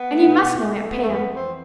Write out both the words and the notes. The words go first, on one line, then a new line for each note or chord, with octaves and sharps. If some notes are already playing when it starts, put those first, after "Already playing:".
And you must know Aunt Pam.
Already playing: B3
A3
B2
B2
A3
A3
A3 B3
A3
F2 B3
F2
C4
E3